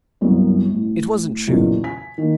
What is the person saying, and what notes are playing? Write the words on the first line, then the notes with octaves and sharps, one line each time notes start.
It wasn't true.
G1 C2 F#2
A1
B1 E2 A#2 C#3
G#5 B6
D#3 A#3